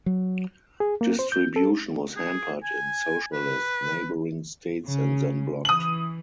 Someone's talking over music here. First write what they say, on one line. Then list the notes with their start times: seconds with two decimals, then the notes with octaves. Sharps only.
Distribution was hampered in "socialist" neighbouring states and then blocked.
0.06 F#3
0.80 G#4
1.01 A#3
1.19 C5
1.32 G6
1.56 A4
2.16 G#4
2.63 G#5
3.33 B4
4.87 C#3
5.65 E3 D#6 F#7